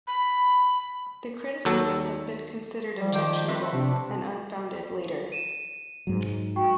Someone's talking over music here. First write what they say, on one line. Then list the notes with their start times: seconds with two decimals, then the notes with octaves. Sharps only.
The criticism has been considered objectionable and unfounded later.
0.07 B5
1.65 D#2 F#3 A4
3.00 F3 G3
3.13 D#3 G4 C5 D5
3.48 A3 C4 B4
3.73 C3 D4
5.32 D#7 E7
6.07 G#2 F#3
6.56 F#4 G5 C#6